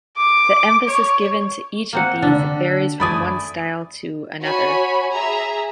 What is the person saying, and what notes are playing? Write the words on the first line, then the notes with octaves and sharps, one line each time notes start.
The emphasis given to each of these varies from one style to another.
D6
C#5
A#3 C4 F#5
D3 D4
A3 D5 G#5 B5 D#6
F#4 C#5 G#5 B5
G#4 E5 A#5